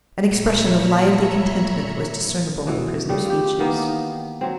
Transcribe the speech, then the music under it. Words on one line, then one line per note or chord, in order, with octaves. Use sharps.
An expression of lively contentment was discernible on the prisoner's features.
A#2 C#5 E5 A#5 B5 C#7
B2 E3
C#3 G3 A3
F4 G4
D#3 E3 A#3 B3
F#3 C4